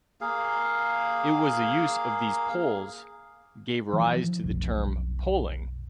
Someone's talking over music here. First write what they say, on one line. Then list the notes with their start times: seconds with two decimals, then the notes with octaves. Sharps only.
It was the use of these poles gave rise to the term "poling".
0.21 A#3 G#4 F5
3.93 E3 F3
4.43 F1 B1